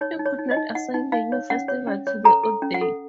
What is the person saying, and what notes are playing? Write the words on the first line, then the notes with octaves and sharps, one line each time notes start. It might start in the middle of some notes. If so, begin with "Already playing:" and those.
It could not assign the new festival to the old day.
D#4 C#5
D#4
C#5
D#4
D#5
D#4
D#4 F#5
D#4
D#4 F5
C#5
C#4 F#5
C#5
C#4
C#5
A4 A#5
A4
C#4
F#5
A4